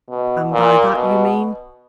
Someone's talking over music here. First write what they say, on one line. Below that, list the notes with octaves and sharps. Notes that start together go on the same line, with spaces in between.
"And by that you mean?"
B2
A#2
B2